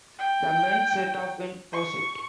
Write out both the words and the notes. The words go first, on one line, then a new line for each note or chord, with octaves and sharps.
The men set off in pursuit.
G5
C#6